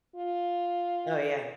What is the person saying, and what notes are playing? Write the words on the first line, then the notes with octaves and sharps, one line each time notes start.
Oh, yeah.
F4